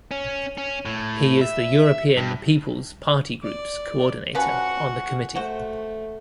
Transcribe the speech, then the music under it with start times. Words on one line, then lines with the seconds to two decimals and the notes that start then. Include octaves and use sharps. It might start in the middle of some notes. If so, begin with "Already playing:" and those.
He is the European People's Party Group's coordinator on the committee.
0.11 C#4
0.58 C#4
0.85 A2
1.41 E5
2.17 G2
3.43 D5
4.35 F3 C#4 F#4 B4 F#5
5.35 A3 F#4 C5